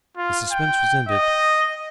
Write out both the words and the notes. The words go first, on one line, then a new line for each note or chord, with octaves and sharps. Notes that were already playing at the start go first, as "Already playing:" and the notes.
The suspense was ended.
F4
G5
D#5